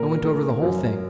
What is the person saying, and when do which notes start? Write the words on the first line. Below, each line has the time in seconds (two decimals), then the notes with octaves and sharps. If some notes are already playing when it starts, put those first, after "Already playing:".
I went over the whole thing.
Already playing: A#2 A#4
0.23 A3
0.61 F#2